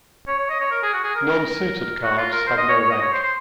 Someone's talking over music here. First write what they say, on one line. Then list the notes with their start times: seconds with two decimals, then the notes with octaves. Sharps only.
Non-suited cards have no rank.
0.28 C#5
0.38 C#5
0.50 D#5
0.60 C#5
0.71 A#4
0.83 G#4
0.93 F#4
1.04 G#4
1.15 A#4
2.03 F#4
2.18 F4
2.32 A#4
2.47 C5
2.57 D#5
2.69 C#5
2.79 C#5
2.91 D#5
3.02 C#5
3.13 C5
3.23 C5